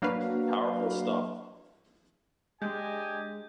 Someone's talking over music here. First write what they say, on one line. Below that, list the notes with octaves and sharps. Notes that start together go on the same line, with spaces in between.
Powerful stuff.
F#3 A#3 D4 F#4 B4 F5
G#3 D4 G4 D#5 G#5 G6